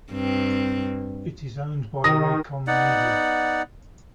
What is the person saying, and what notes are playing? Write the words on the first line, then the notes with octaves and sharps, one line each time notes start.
It is owned by Raycom Media.
G2 C4
D#3 D#6 A#6
B3 D#4 D5 F#5